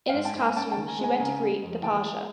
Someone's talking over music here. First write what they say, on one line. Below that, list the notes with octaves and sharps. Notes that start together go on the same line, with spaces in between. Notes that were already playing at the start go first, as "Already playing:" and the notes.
In this costume she went to greet the Pasha.
F5 G5
G#2
G5 A5
G#2
G#5 A#5
C#4 G5 A5
G5 A5
D#3
G#5 A#5
G#3
G#5 A#5
C#3 G#5 A#5
G#3
F2
E3 G5 A5
G#3